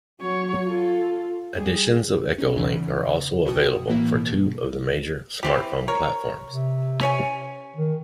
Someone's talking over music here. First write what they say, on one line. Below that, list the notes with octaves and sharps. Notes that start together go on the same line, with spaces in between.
Editions of EchoLink are also available for two of the major smartphone platforms.
F#3 C#5
F4 A4
G3 G#4
C#4 D#4
E2 C#3 E3
B2 F#4 G5 D#6
A2 E3 A#3 E4
B2
E3 C4 G4
A#4 C#5
C3
C#4 C#5 G#5
D#3